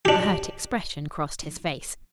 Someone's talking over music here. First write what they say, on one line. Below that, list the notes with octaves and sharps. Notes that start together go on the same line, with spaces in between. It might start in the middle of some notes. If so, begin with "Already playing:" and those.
A hurt expression crossed his face.
D4 G4